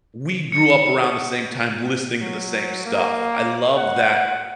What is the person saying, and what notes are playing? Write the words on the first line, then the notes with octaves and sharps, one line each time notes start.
we grew up around the same time listening to the same stuff." I love that
C#7
F#3
A#3
F#5